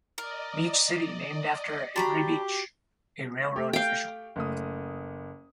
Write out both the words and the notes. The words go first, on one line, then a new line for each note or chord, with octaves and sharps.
Beach City named after Henry Beach, a railroad official.
A#4 D5 D#5
D4 F#4 G4 A#5 B5 C#6
A3 G4
F5 G5
F#1 A3 D#6